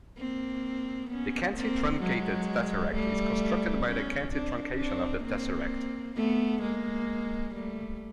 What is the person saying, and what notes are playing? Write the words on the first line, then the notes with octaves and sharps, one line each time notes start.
The cantitruncated tesseract is constructed by the cantitruncation of the tesseract.
A#3 C4
B3 C#4
A#3 C4
F#3 G#3
G3 A3
B3 C#4
C4 D4
C4 D4
A#3 C4
A3 B3
G#3 A#3
G3 A3